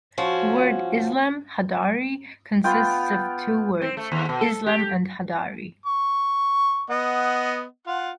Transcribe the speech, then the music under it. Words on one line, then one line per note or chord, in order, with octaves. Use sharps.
The word Islam Hadhari consists of two words, Islam and Hadhari.
F3 C#4 F#4
B3 F4 G5
C4
A3
D#2
B2
A4
G4
C#6
B3 D#5 F#5
F4 F#5